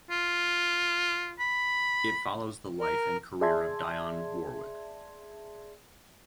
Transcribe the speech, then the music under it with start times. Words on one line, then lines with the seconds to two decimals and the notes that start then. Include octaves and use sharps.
It follows the life and career of Dionne Warwick.
0.11 F4
1.40 B5
2.80 A#4
3.41 G#4 D5 E5 A5 C6 G#6